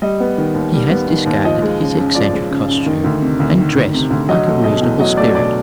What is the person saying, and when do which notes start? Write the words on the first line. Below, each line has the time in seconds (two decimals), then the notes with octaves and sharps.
He has discarded his eccentric costume, and dresses like a reasonable spirit.
0.02 G3 D#5
0.20 B3
0.38 D#3
0.55 D#2
0.74 G3
0.90 B3
1.08 D#3
1.26 D#2
1.45 F3 D#5
1.62 G#3
1.80 C#3
1.97 F#2
2.15 F3 D5
2.33 G#3
2.51 C#3
2.68 F#2
2.86 D#3
3.04 D2
3.22 C3
3.40 D2
3.57 D#3
3.76 D2
3.94 C3
4.10 D2
4.29 F#3 D#5
4.47 A3
4.64 B2 D#5
4.82 E2
4.99 F#3 D#5
5.17 A3 D5
5.35 B2 D5